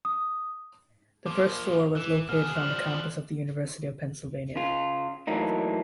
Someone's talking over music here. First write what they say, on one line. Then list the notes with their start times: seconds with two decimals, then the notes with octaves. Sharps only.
The first store was located on the campus of the University of Pennsylvania.
0.05 D#6
1.26 F3 A#3 D6
1.65 D6 F7
1.95 E3 F#6 E7
2.29 B2 G#4 F6
2.55 F3 G3 F6 F#6 F#7
4.56 C#3 F4
5.27 E3 F#3 A3 A#3 D#4